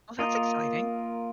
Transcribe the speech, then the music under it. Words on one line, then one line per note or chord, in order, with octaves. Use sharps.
Oh, that's exciting.
A#3 F4 A#4 D#5